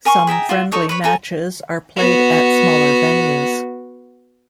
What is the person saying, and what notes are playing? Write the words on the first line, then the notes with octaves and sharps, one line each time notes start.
Some friendly matches are played at smaller venues.
A#4 G#5 C6 C#6
G#4 E5 G5 A#5
F4 F#4 E5
D#4 A4 C#5 D#5
B4 C#5 B5
A4 G#5 A#5
B3 F#4